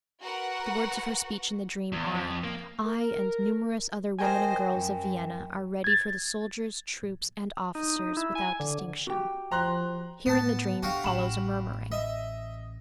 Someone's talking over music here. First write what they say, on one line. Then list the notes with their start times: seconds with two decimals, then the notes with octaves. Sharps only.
The words of her speech in the dream are, 'I and numerous other women and girls of Vienna are ready for the soldiers, troops, and officers, without distinction....' Here in the dream follows a murmuring.
0.21 F#4 A#4 B4 F#5
1.92 E2
2.14 F2
2.44 A#3
2.85 A#4
4.19 A#4 C5 D#5 G5 G#5
4.71 F#2
5.84 G#6 A6
7.75 D#4
7.99 D#4
8.17 E4
8.35 G#5
8.60 D3
9.07 F#4 G4
9.51 F3 C5 G5 A#5 C6 F#6
10.26 A2 B3 A5
10.83 D3 F#4 G4 F5
11.04 A1 B5 E7 F#7
11.92 D#5 E5